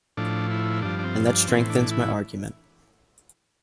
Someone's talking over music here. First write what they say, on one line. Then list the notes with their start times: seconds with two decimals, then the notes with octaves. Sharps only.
And that strengthens my argument.
0.17 A2 F3 D4
0.51 E4
0.82 G2 F3 D4
0.99 D4
1.04 C4
1.26 D4
1.48 A2 E3 C4
1.70 D4
1.91 E4